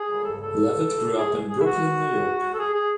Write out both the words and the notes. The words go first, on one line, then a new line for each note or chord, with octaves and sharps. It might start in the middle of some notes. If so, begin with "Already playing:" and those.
Levitt grew up in Brooklyn, New York.
Already playing: G#4
A4
A4
G#4
G#4
E4
F#4
A4
G#4
G#4